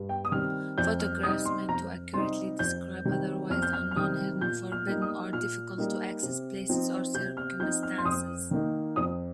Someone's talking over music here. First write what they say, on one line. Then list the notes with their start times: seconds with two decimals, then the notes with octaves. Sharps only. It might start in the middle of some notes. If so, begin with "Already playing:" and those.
Photographs meant to accurately describe otherwise unknown, hidden, forbidden, or difficult-to-access places or circumstances.
Already playing: G2
0.09 G5
0.25 D#6
0.32 D#3 G3 C4 F6
0.78 F2 G6
1.00 F6
1.23 C3 G3 D#4 D#6
1.45 C6
1.68 F2 A#5
2.14 C3 G3 D#4 C6
2.59 F2 G6
3.05 C3 D#3 G3
3.50 F2 F6
3.62 G6
3.73 F6
3.91 F6
3.96 C3 D#3 G3 D#6
4.41 A#2 G6
4.72 F6
4.87 G3 A#3 D#4
5.02 D#6
5.33 A#2 F6
5.78 G3 A#3 D#4
6.23 C3
6.69 F3 C4 D#4
7.14 C3 G6
7.37 F6
7.59 F3 C4 D#4 G6
7.83 F6
7.98 C6
8.05 F2 D#6
8.51 D#3 A#3 D#4
8.96 F2 D#6